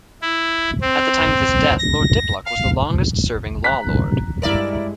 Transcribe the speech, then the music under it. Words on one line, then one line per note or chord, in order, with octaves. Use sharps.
At the time of his death, Lord Diplock was the longest serving Law Lord.
E4
C4
A#6
F5
A#5 F#6 B6
G2 G#3 E4 A#4 D5 E5